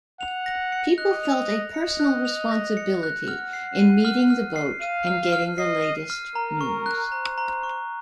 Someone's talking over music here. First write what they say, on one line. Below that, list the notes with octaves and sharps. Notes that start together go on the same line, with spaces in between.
People felt a personal responsibility in meeting the boat and getting the latest news.
F#5 F7
A#6
C#7
D#5 F#6
F7
A#6
D#5 C#7
F#6
F7
A#6
C#7
F#6
F#5 F6
C7
D#7
F6
F6
C7
F5 D#7
F6
F6
D#5 C7
D#7
F6
A#4 A#5
C#6
F#6
C5 A#5
A#5
C#6